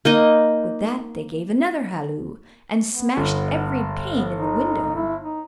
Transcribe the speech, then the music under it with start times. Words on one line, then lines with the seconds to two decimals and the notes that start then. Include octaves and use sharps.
With that they gave another halloo, and smashed every pane in the window.
0.05 A#3 D#4 D#5
2.87 B3
3.17 G1
4.17 B3
4.31 D#4
4.96 E4
5.22 D#4